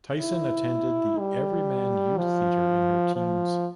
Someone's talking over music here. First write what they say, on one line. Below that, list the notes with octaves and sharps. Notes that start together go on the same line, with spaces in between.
Tyson attended the Everyman Youth Theatre in her teens.
E4
G3
F3
F3